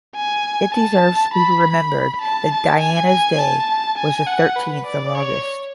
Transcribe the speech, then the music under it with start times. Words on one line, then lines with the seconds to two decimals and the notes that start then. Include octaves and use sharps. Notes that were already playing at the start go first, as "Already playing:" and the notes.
It deserves to be remembered that Diana's day was the thirteenth of August.
0.16 G#5
0.75 A5
1.34 B5
1.63 B5
2.21 A5
2.51 A5
2.80 G#5
3.10 G#5
3.39 A5
3.98 G#5
4.27 F#5
4.56 B4
4.86 D5
5.15 C#5